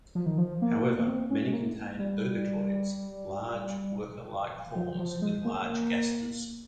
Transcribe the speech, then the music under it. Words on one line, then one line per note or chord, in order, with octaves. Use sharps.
However, many contain ergatoids, large, worker-like forms with large gasters.
F3
D#3
F3
A#3
A#3
C4
C#4
G#3
A#3
G3
F3
F3
G#3
A#3